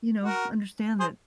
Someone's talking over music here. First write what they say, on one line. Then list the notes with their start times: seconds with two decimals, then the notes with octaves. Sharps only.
you know, understand that
0.24 F#4 A#4
0.99 G#4 C5